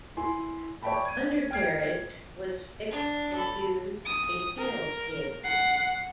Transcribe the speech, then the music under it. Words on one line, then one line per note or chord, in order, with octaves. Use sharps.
Undercarriage was fixed and used a tailskid.
E4 G#5 C6
C#5 D5 E5 G5 A5 B5
G#6 D#7
G5 F6 G#6 C7
D4
A4 B5
D#6
A#4
F#5 C7